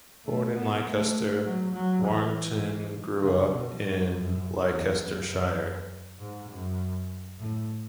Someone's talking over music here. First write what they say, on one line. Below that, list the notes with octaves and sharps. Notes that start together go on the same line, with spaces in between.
Born in Leicester, Warrington grew up in Leicestershire.
A3
B3
A3
F#3
F#3
E3
C#3
B2
G#2
F#2
E2
F#2
G#2
F#2
A2